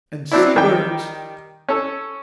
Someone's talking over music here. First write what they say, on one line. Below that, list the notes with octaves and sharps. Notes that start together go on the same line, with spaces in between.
And sea birds!
F#3 C4 D4 E4
D#3 G3 G5
C#4 A4